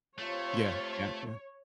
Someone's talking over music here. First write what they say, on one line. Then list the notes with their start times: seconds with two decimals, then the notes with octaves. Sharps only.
Yeah, yeah, yeah.
0.19 C3 A3 F4 C#5